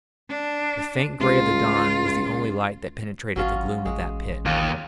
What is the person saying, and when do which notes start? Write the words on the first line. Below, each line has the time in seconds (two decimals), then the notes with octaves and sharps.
The faint grey of the dawn was the only light that penetrated the gloom of that pit.
0.29 D4
1.20 C#2 F4
3.36 G#1 F#3 C#4 F4
3.86 A1 G#3
4.46 D#2 F4 C#5